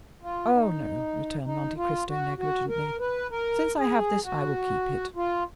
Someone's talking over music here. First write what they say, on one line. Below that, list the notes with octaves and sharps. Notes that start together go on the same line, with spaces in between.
"Oh, no," returned Monte Cristo negligently; "since I have this, I will keep it."
F4
D#4
D#4
F4
F#4
F#4
A#4
B4
A#4
G#4
F#4
F4